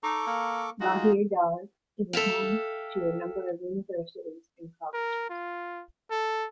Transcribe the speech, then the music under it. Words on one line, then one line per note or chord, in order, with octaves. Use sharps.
Bahir Dar is home to a number of universities and colleges.
D#4 A4 C#6 D6
A#3
D#4 F4 F#4 G#4
A4 E5 F5 G5
A#4
F4
A4